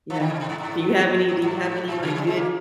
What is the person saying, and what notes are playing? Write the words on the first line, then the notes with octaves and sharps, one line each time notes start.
yeah. Do you have any do you have any, like, good
F3
D#3
C#3
C3
G#2
G#2
G#2
G#2
A#2
C#3
G3
G#3
A#3